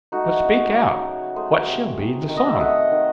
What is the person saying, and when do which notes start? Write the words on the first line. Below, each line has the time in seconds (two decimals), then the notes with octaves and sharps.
But speak out--what shall be the sum?'
0.12 A3 D#4 F#4
0.43 C#3
0.75 C#3
1.05 F#3
1.36 A3 G#4 C5
1.67 C3
1.98 C3
2.29 D#3
2.37 D#5
2.48 E5
2.60 A3 D#5 F#5
2.92 D#3